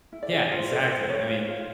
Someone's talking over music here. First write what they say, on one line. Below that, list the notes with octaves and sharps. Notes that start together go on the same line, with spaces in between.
Yeah, exactly, I mean,
E4
D5
G#4
F4 C5
A4 C5
F4 C5
B4 C#5
F4
F4